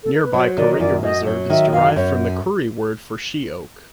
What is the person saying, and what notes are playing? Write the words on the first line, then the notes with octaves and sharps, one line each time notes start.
Nearby Kooringa Reserve is derived from the Koori word for sheoak.
A4
A#4
B4
F#3 C5
D#3 D5
D#5
F#2 D5
F#2 D#5
F#3
D#3 E5
F#2 F5
F#2 C#5